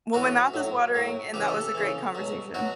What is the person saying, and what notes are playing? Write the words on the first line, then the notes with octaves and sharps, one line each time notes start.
Well, my mouth is watering, and that was a great conversation.
A2 E3 F#4
A2 F#3
A2 F#3
C#3 E3 G4
A4
A4
C#3 E3
B2 F#3
B2 F#3 F#4